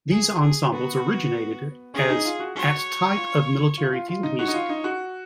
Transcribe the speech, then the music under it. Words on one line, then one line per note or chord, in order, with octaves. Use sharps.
These ensembles originated as at type of military field music.
G#4
G#4
B3 F#4
C#4 G#4
D#4
F4
F#4
F#4 C#5
F4
F4
F4
F4
D#4
F#4 C#5
D#4
F4
D#4
F#4